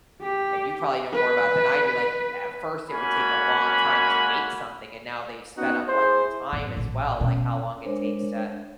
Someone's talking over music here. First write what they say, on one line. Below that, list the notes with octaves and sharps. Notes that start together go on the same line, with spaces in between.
and you probably know more about than I do like, a at first, it would take a long time to make something, and now they've sped up, like, the time as well, like, how long it takes to
G4
B4
G#3 A#3 C#4 F#4 G#5 B5
B3 C#4 D#4 F#4
E4 G#4 C5
A1 F#2
A1 A#2
B2 C#4
G#3 D4 A#4 C5 C#5